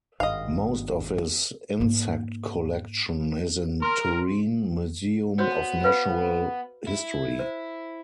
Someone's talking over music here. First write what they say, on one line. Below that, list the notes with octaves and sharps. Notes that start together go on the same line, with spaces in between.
Most of his insect collection is in Turin Museum of Natural History.
G#1 G2 D#5 F5
G#2 A#3
A#4 C6
B3 F#4 C5 C#5
B4 F5 B5
E4
C5